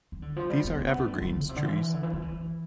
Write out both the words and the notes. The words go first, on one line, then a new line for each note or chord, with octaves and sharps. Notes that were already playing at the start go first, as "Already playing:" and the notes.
These are evergreens trees.
E3
D3
F3
G3
B3
A3
B3
A3
G3
F3
B2
C3
D3
E3
D3
E3
F3
E3